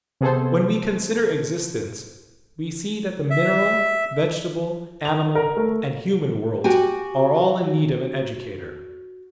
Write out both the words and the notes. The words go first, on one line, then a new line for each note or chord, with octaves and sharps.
When we consider existence, we see that the mineral, vegetable, animal and human worlds are all in need of an educator.
C3 B3 G#4 A4 C5
E5
F7
A#4
A3
F#4 G4 G#5